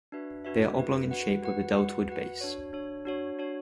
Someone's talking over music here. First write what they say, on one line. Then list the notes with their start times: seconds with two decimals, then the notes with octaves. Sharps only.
They are oblong in shape with a deltoid base.
0.12 D4 F#4 B4 E5
0.45 D4 F#4 B4 E5
0.78 D4 F#4 B4 E5
1.11 F#4 B4 F#5
1.43 F#4 B4 F#5
1.75 F#4 B4 F#5
2.08 F#4 B4 F#5
2.41 D4 F#4 C#5
2.73 D4 F#4 C#5
3.05 D4 F#4 C#5
3.39 D4 F#4 C#5